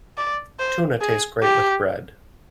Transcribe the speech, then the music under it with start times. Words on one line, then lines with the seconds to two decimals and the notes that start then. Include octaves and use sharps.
Tuna tastes great with bread.
0.17 D5
0.59 C5
1.01 G#4
1.43 G4